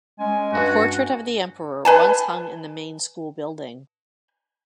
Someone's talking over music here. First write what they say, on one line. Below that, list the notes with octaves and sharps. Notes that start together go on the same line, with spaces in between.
A portrait of the emperor once hung in the main school building.
G#3 C#4 G#5
G2 F#4
B4 G#5 A5